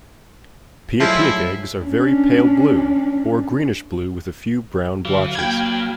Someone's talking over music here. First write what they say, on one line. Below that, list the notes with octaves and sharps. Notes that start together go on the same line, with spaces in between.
Piapiac eggs are very pale blue, or greenish-blue with a few brown blotches.
A2 F3 F#3 G#3 E4 C7
C#4 D4
D3 E3 F#3 F5
A#3 D4 B4 G5 G#6